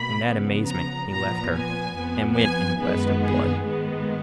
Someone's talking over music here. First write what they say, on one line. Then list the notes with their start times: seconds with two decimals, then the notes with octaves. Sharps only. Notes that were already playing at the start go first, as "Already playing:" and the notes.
In that amazement he left her, and went in quest of Blood.
Already playing: B2 A#3 B5
0.26 C#3 F3 B3
0.68 A#5
1.11 A#2 F3 B3 A#5
1.53 G#5
1.96 F2 F3 B3
2.38 G#5
2.80 F#2 D#3 G#3 B3 B4
3.22 G#4
3.65 G#2 D#3 G#3 B3